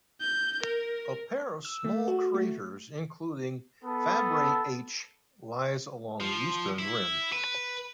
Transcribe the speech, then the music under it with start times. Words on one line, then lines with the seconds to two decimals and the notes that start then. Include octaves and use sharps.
A pair of small craters, including Fabry H, lies along the eastern rim.
0.21 G6
0.63 A#4
1.65 E6
1.84 A3
2.08 F#4
2.34 A3
3.84 B3 A4
6.20 F3
6.79 E4
7.32 B4